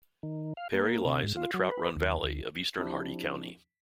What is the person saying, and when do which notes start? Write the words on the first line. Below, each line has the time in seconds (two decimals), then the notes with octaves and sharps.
Perry lies in the Trout Run Valley of eastern Hardy County.
0.23 D#3
0.57 F5
0.73 A#3
1.05 C3
1.23 G#2
1.37 F4
1.54 F#3
1.72 B4
1.96 D#2
2.23 D2
2.78 F3 C4 D4 E4 G4